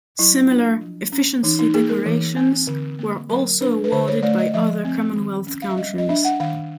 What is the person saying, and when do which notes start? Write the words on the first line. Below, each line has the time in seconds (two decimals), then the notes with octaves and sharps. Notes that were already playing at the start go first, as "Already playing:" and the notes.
Similar Efficiency Decorations were also awarded by other Commonwealth countries.
0.19 F#3 E4
0.50 D4 F4
0.81 F3
1.12 C#4
1.43 E3 D#4
1.59 D#4
1.74 A#3 G#4
1.90 A#4
2.06 E3
2.36 C4
2.67 D3
2.99 A#3
3.29 F#3 A#4
3.61 D4 B4
3.84 B4
3.92 D3 C5
4.08 C#5
4.23 A3 D5
4.38 D#5
4.54 F3 E5
4.85 C4
5.16 D#3
5.47 C#4
5.62 F5
5.70 E5
5.77 G3 D#5
5.98 D#5
6.09 D4 E5
6.25 F#5
6.40 D#3 F5